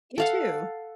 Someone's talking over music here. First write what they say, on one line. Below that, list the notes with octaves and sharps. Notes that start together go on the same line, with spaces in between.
You, too.
A4 F5 F#5